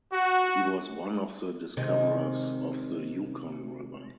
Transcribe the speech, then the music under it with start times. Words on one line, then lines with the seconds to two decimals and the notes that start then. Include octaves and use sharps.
He was one of the discoverers of the Yukon River.
0.13 F#4
1.77 C3 D#3 G#3